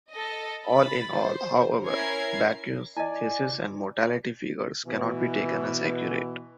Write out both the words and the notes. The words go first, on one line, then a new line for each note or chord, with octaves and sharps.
All in all, however, Bacque's thesis and mortality figures cannot be taken as accurate.
A4 D#5
B5 A6
C5
C#4 E4 A#4 G#6 C7
E4 D5 D#5 G#5
B2 E3